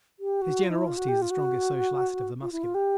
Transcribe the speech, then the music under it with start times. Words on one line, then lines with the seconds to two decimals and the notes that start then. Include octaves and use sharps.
His generosity is the strongest social asset of the Muscular.
0.19 G4
0.42 F#4
0.64 F4
0.70 D#4
0.75 E4
0.87 F4
0.97 F#4
1.09 G4
1.22 F4
1.31 F#4
2.42 F4
2.52 E4
2.63 F4
2.74 G4